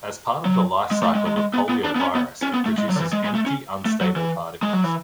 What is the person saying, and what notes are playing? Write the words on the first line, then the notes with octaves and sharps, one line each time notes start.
As part of the lifecycle of poliovirus it produces empty unstable particles.
F#3
G#3
A3
G#3
G#3
G#3
B3
B3
D4
B3
C#4
B3
C#4
B3
A3
G#3
F#3
D3
E3
G#3
G#3
A3
C#4
A3
F#3
E3
G#3
F#3
E3